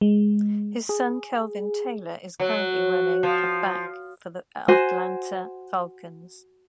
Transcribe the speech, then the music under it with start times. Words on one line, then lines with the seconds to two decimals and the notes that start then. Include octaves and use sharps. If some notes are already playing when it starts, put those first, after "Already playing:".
His son, Kelvin Taylor, is currently a running back for the Atlanta Falcons.
0.01 G#3
0.89 G#4
2.40 F#3
3.23 F3
4.68 F#4 C5 G#5